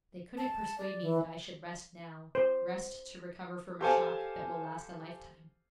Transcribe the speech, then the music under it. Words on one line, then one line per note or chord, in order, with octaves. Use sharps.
'They couldn't persuade me that I should rest now, rest to recover from a shock that will last a lifetime.'
A5
D5
E3
C5
G4 A4 C5 F5 G#5 A5